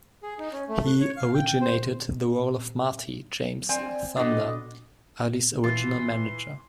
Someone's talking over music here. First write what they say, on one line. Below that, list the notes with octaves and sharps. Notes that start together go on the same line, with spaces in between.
He originated the role of Marty, James "Thunder" Early's original manager.
G#4
D#4
C#4
A3
F#6
C#5
F5
G5
G5
C5
C4 D5 G#5
B2 D4 A4 D#5
E3 F4 C6